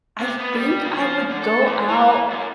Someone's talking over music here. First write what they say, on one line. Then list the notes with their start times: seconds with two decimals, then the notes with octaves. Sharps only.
I think I would go out
0.20 C3
0.39 B3
0.54 G3
0.84 C#3
0.97 F3
1.30 D3
1.42 A4
1.66 E2
1.88 E3
2.30 F#2